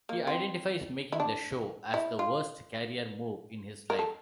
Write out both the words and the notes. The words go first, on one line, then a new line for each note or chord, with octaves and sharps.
He identifies making the show as "the worst career move" in his life.
A#3
C4
E4
D4
E4
F4
A#4
A4